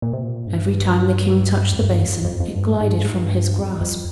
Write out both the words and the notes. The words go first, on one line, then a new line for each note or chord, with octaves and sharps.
Every time the King touched the basin it glided from his grasp.
A#2
C3
A#2
G2
F2
G2
F2
F2
F2
G2
G#2
G#2
G2
G#2
G2
F2
F2